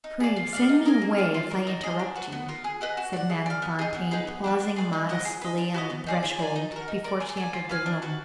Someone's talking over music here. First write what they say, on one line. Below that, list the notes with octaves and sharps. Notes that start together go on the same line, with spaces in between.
"Pray send me away, if I interrupt you," said Madame Fontaine, pausing modestly on the threshold before she entered the room.
D#4
G#4 D5
F4
G#4 D5 F5
D#4
A#4 D#5 G#5
A#3
F4 G#4 D5
F4
A#4 D5
D#4
G#4 D#5
D4
F#4 B4
B3
F4 A#4
G#4
B4 D#5 F#5
F#4
D5 F#5
G#4
D5 F5
B3
D#4 G#4
B3
D#4 G#4 B4
B3
D4 F#4 B4
D4
G#4 B4 D5
D#4
A#4 D#5 F#5
G#4
B4 D#5
D4
F#4 B4 D#5
B3
D#4 G#4 D5
G#4
D5 G#5
D#4
F#4 A#4
D#4
A#4 D5
G#4
D5 G#5
F4
B4 F5 G#5
D4
F#4 B4